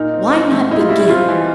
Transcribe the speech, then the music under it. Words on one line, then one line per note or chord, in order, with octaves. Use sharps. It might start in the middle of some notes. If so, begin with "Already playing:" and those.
Why not begin?
Already playing: A#2 D#4 A#4
C4
F4
A3
D#4 E4
F4
G3 E4
E4
C4 F4
E3